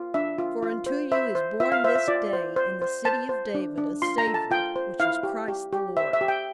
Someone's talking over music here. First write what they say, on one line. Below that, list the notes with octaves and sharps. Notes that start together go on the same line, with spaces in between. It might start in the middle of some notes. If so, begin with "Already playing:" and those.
"For unto you is born this day, in the city of David, a Savior, which is Christ the Lord!"
Already playing: F4
D4 E5
F4
F4
C5
C5 E5
C5
F4 E5
F5
C5 E5
E5
F4 D5
C5
C5
C5
C5 A5
C5
D4
D4
F4 C6
A#5
A4
A5
F4 G5
C5
E4 F5
G4
G4
G4
C5 E5
E5
G4
G5